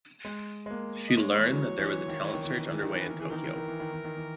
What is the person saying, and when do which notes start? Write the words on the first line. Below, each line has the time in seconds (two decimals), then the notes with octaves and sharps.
She learned that there was a talent search underway in Tokyo.
0.25 G#3
0.66 G#3
0.71 A#3
1.09 D#5
1.17 G#3 A#4 C#5
1.38 E3
1.47 F#3
1.78 E3
2.08 D#3
2.21 E3
2.33 D#3
2.44 E3
2.57 D#3
2.70 E3
2.82 D#3
2.94 E3
3.00 B4
3.07 D#3 A#4
3.19 E3 G#4
3.31 D#3 D#4 A#4
3.44 E3
3.56 D#3
3.68 E3
3.80 D#3
3.92 E3
4.04 D#3
4.17 E3